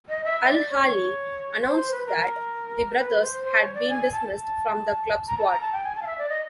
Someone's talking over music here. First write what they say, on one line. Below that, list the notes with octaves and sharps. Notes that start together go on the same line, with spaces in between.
Al-Ahli announced that the brothers had been dismissed from the club squad.
D#5
E5
D5
C#5
C5
C5
B4
A#4
B4
C5
C5
C#5
D5
G#5
A5
A#5
A5
A#5
A5
G5
G#5
A5
F5
E5
D5
D#5